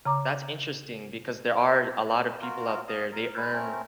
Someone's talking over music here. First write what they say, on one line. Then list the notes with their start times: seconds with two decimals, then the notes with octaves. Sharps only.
that's interesting because there are a lotta people out there, they earn
0.06 C#3 A#5 D6
2.27 B4
2.42 F4 F#4 A#4
2.88 D#5 F5
3.12 A#4
3.37 G#3 B4 B5
3.53 A3 C4 C#4 A#4